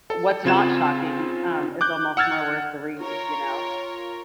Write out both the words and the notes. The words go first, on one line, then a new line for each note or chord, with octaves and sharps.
what's not shocking, um, is almost more worth the read, you know?
A4
C#3 C4 F4 G#6 E7
D6 F#6 G6
F#5 E6 F6 G#6 A6
F4 A#4 C#5